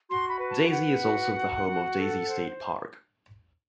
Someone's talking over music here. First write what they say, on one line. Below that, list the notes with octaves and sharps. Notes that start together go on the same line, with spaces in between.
Daisy is also the home of Daisy State Park.
F#4 C6
B5
B4
A5
B4 F#5
F#4
F#4
F#4
A4
C5